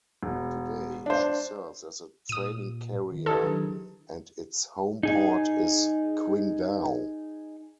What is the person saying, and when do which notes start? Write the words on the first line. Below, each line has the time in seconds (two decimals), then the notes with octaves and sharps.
Today, she serves as a training carrier and its home port is Qingdao.
0.23 E1
1.06 D4 C5
2.29 A#2 D#6 D#7
3.12 D#3
3.26 E4 G4 A4 B4
3.42 D#3 F#3 D4 G#4
5.03 D#4 G#4